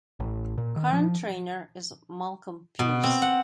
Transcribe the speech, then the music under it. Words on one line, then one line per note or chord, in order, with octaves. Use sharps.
Current Trainer is Malcolm Pierce.
A1
A#2
D#3
F3
B2
C4
F#5